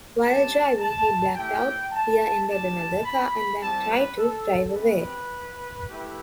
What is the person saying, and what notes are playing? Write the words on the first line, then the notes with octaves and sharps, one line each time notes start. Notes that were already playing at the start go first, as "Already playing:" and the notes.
While driving, he blacked out, rear-ended another car, and then tried to drive away.
G3 D4 G4 A5
A5
A3 E4 G4 G5
A5
A3 D4 G4 A5
B5
G3 C4 E4 G4 A5
B4
A4
C4 G4 B4
A3 E4 G4